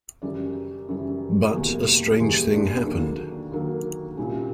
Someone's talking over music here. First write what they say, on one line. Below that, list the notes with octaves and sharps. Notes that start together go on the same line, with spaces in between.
But a strange thing happened.
F#2 C#3 E3 G3 D5
F#2 C#3 E3 G3
F#1 E2 B2 G3 A#3
F#1 E2 B2 G3 A#3 G#4
D4
D#2 D3 F#3 A#3
D#2 D3 F#3 A#3
C2 A#2 G3 C#4